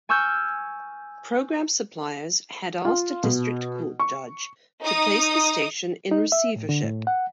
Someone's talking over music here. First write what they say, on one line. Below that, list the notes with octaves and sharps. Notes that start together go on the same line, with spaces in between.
Program suppliers had asked a district court judge to place the station in receivership.
G#5 C#6 E6 F6 G6 G#6
F4
B2
C#6
D#4 D#6
D#4
E5
A2
D3
A2
F#5